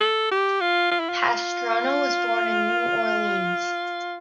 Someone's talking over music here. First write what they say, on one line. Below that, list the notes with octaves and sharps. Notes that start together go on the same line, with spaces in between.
Pastrano was born in New Orleans.
A4
G4
F4
F4
E4
F4